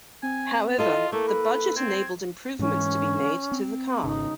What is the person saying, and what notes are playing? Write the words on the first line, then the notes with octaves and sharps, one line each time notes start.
However, the budget enabled improvements to be made to the car.
C4 G#5
E4 F4 A4 D#5
A3 A#3 A4
B4
C4 G#6
G#2 E3 C#4
C4
G#1 C#3 D#4